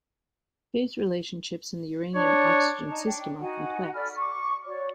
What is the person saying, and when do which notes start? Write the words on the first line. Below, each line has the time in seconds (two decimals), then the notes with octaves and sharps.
Phase relationships in the uranium-oxygen system are complex.
2.16 D4 C#5
2.87 D#4 A5
3.04 D4 G5
3.40 D#4 F#4 F#5 G#5
3.93 A4 D5 B5 F6
4.16 C#6 D6
4.66 F#4 C#5 D5